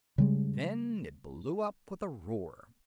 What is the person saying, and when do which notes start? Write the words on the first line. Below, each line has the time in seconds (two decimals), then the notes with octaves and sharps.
Then it blew up with a roar.
0.18 C#3 G3 G#3